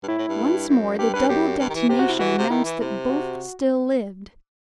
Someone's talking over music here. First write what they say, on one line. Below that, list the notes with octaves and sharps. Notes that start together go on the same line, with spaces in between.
Once more the double detonation announced that both still lived.
G2
A2 E4
A2
G2
F#2
G2 G4
G2 B4
F#2 G4
G2
D#3
E3
C3 G4
F#4
E4
E3 F#4
C3
D#3 E4
E3
C3
F#4